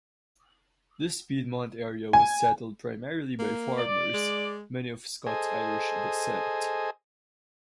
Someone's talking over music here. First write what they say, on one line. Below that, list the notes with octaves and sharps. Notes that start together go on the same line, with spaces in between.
This Piedmont area was settled primarily by farmers, many of Scots-Irish descent.
G#5
A#3
D5
G#3
G#4 A4 C5 D#5 G#5